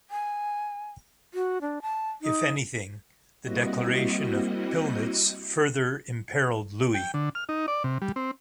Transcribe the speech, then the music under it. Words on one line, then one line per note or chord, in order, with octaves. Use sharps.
If anything, the Declaration of Pilnitz further imperilled Louis.
G#5
F#4
D4
A5
D#4
G3 A#3 C4 E4 F#4 D#5
G5
D3
F6
D#4
D5
C3
G3
C4